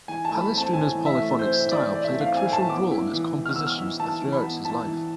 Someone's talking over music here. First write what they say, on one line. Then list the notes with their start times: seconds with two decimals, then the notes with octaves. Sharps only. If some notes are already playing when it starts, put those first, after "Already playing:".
Palestrina's polyphonic style played a crucial role in his compositions throughout his life.
0.08 E3 G#5
0.25 A5
0.30 A3
0.41 B5
0.52 C4
0.57 A5
0.73 A2 G#5
0.95 E3
1.06 E5
1.17 A3
1.39 C4 C5
1.60 A2
1.71 D5
1.83 E3
1.95 D5
2.04 A3 E5
2.20 C4 F5
2.37 G#5
2.47 A2
2.53 A5
2.69 B3 D6
2.91 E4
3.13 E3
3.35 E3
3.46 F6
3.56 B3 E6
3.67 F6
3.78 E4
4.00 E3 A5
4.22 E3
4.32 B5
4.43 B3
4.65 E4 A5
4.87 E3